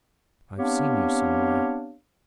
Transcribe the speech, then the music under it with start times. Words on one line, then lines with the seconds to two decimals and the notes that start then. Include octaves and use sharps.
"I have seen you somewhere."
0.59 B3 C4 D4 G4 C#5 F5